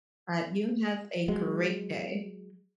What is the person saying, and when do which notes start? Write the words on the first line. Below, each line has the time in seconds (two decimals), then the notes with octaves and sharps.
Right. You have a great day.
1.28 F#3 G#3